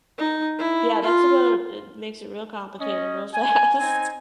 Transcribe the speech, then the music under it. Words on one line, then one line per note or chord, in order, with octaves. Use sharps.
Yeah, that's about it makes it real complicated, real fast.
D#4
E4
F4
C#4 D#5
G#5
C4 D#4 G#5